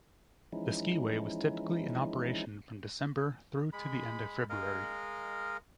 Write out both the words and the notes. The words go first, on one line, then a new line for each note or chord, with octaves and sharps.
The skiway was typically in operation from December through to the end of February.
E3 F3 G#3 C#4 D#4 E4
G#3 B5
G#3 A#4 D#5 F5